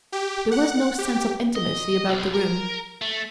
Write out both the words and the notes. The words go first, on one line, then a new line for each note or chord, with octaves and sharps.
There was no sense of intimacy about the room.
G4
F#5
G4
D#5
B1
A#4
A3